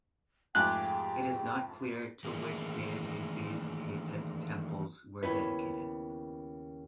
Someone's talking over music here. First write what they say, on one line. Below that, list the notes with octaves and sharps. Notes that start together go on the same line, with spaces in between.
It is not clear to which deities these Apit temples were dedicated.
F2 G#2 A3 F4 G4 G#4 G5 F#6
D#3 E3 A3 A#3 G#4
D#2 C#3 B3 E4 B4 C#5